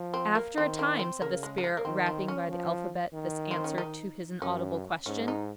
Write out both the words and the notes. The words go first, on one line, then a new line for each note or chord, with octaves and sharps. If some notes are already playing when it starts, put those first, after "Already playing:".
"After a time," said the spirit, rapping by the alphabet this answer to his inaudible question.
Already playing: F3
C4
A#3
D#3 C4
C4
C4
C#3 A#3
G#3
F#3
G#3
A#3
D#3 C4
C4
C#4
F3
D#3
C4
C#4
D#4
F#2 C#4
G#2 C#4
D#4